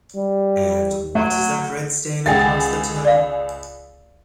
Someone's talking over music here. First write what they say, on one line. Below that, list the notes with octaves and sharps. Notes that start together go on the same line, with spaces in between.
And what is that red stain across the toe?
G3
F#3 A3
C#2 G#4 E5 F#5 G5 A6
D5 F5